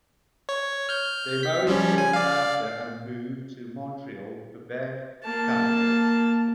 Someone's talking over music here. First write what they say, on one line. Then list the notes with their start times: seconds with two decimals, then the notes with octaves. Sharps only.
They married soon after and moved to Montreal, Quebec, Canada.
0.49 C#5
0.89 F6 G6
1.43 B6
1.67 F3 G3 C#4
1.98 G#5
2.13 D5 F5
5.24 A#3 A5